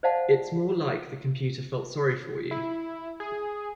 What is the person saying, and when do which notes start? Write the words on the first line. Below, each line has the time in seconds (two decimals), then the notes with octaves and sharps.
It's more like the computer felt sorry for you.
0.03 C5 D5 D#5 F5 F#5 A5
2.51 E4
3.20 G#4